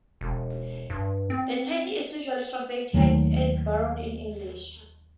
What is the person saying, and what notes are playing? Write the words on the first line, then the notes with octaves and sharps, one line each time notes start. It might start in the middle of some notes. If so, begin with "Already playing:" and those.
The title is usually translated as "Baron" in English.
E1
G2
C4
D#2 D#3 F#3 A3